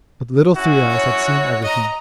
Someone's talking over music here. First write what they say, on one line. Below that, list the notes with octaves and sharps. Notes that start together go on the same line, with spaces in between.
But Little Three-eyes had seen everything.
C#4 E4 F#4
C#5
D#5 A#5